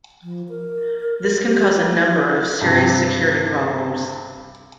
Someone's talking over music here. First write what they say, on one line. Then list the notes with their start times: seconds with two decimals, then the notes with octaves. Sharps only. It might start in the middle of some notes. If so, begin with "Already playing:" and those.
This can cause a number of serious security problems.
0.23 F3
0.49 A#4
1.44 G4
1.76 E4
2.61 G2 C3